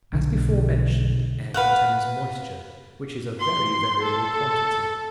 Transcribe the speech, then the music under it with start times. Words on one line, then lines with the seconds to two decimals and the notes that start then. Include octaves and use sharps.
As before mentioned, air contains moisture, which is a very variable quantity.
0.12 B1 D3
1.54 B4 F5 F#5
3.40 C6
4.03 A4